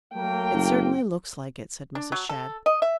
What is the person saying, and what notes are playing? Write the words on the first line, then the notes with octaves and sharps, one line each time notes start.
"It certainly looks like it," said Mrs. Shadd.
F#3 A3 A#3 G5
F#1
D4
F#3
A4
D#5
E5